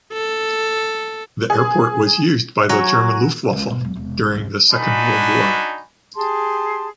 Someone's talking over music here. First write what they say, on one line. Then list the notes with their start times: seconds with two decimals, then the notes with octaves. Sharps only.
The airport was used by the German Luftwaffe during the second World War.
0.13 A4
1.50 G#4
2.69 F#3 C#5 F#5 G#5 A#5
3.51 C#2 C#3
3.68 G#2 B2
3.81 E1 F#3
3.95 E1 C3
4.19 A1
4.35 F1 C#2
4.70 D4 D#4 F#4 G#5 A5 B5
6.15 G4 G#4 A5 C6